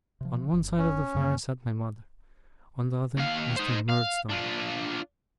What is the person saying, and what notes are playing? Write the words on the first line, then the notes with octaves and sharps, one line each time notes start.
On one side of the fire, sat my mother; on the other, Mr. Murdstone.
C3 F3
F#1
C#4
F#2 D3 A#3
D#2 F5
D#4 C5
F5
D4 F4